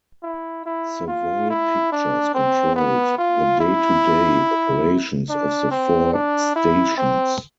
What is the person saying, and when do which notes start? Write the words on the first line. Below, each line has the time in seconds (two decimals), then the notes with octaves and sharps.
Savoy Pictures controlled the day-to-day operations of the four stations.
0.23 E4
0.66 E4
1.08 F4
1.50 E4
1.92 D4
2.34 C4
2.76 B3
3.18 F4
3.61 E4
5.29 D4
5.71 C4
6.14 D4
6.56 E4
6.98 C4